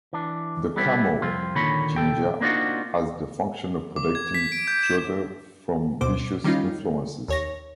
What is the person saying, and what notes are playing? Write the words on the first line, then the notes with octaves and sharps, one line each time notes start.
The Kamo”--jinja” has the function of protecting Kyoto from vicious influences.
E3 D4
G3 B3 C4 E4
C2 F2 C4 F4
D#2 A#2 D3 D#3 C#5 B5
B1 C#3 A4 G5
A#3 C4 D4 D#4 F4 F#4
D6
G#6
B6
D7
G6
E7
D2 B2 C5 D6
D#3 G3 C#4 D#4 F4
D#2 C#5 A#6